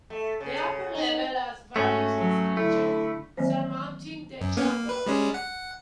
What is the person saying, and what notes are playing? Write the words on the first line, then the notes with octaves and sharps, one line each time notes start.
The upper level has various inscriptions surmounting the chamber.
A3
C#3
D#4
G#2 A3 C#4 F#4
F#3
D3 A3 E4
D#3 E3 F#3 A#3 C4 C5
F#2
A#3 B3 C#4
A#3
B4
G3 G#3 C#4
F#5